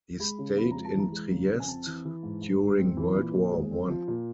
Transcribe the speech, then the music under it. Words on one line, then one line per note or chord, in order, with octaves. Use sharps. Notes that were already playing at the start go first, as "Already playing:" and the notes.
He stayed in Trieste during World War One.
G#3 B5
C#3
F2 B5
G#3 A#5
A5
E3 A#5
G#3
C#3
F2
G#5
C4 A5
E3
E3
G#2
G#2
G#2
C4
E3
A#2
A#2
G#3
C4
F3
A#2